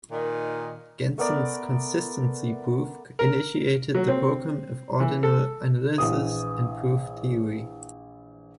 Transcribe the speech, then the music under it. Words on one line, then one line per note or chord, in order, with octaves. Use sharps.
Gentzen's consistency proof initiated the program of ordinal analysis in proof theory.
A#2 D#3
A3 B3 A#4 D5
A#4
F#3
C4
E3
A4
A#1 E3 D#6